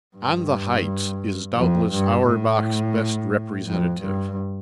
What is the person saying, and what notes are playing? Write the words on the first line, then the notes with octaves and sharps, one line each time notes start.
'On the Heights' is doubtless Auerbach's best representative.
G2
F2
G2
A2
F2
G2